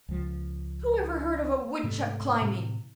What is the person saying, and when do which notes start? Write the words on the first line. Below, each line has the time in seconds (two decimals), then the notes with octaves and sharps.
"Who ever heard of a Woodchuck climbing?"
0.09 C#2 F3
1.84 G#2 C3 A3
2.41 A2 C3